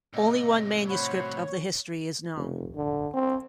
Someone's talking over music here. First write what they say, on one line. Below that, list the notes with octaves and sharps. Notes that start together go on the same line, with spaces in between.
Only one manuscript of the history is known.
A2 C3 D#5
F#4 C5 C#5 B5
F1
D3
C4